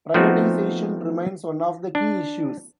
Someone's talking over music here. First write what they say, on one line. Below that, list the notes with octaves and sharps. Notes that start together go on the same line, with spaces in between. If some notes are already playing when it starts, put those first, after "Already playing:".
Privatization remains one of the key issues.
F3 A3 B3 C4 D#4 F#4
D4